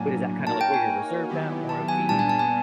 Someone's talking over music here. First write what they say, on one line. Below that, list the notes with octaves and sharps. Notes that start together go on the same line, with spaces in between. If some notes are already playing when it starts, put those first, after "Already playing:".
but is that kinda like where you're reserved at, more of the
Already playing: A2 F#3 A#3 D4 G#5
A#3 D#4 F#4 A#4 C#5 A5
G5
G#5
D#3 F#3 B3 E4 G4
A5
G#5
A#2 G3 B3 D4 A5
G#5
A5
G#5